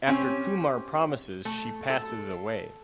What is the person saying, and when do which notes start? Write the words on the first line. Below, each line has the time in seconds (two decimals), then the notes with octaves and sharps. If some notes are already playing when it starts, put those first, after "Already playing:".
After Kumar promises she passes away.
0.07 C4 C#4 G4
1.45 A3
1.90 A4